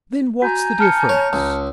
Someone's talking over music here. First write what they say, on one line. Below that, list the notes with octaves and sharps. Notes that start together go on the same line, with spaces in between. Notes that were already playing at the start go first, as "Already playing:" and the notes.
"Then what's the difference?"
F#4 G#5 A#5 G6
A5 F6 C#7
C#5
C#2